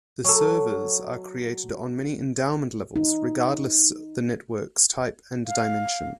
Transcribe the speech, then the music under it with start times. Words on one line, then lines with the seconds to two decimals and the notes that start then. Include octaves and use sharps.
The servers are created on many endowment levels regardless the networks type and dimension.
0.24 F#3 A4
2.96 D#4
5.46 F5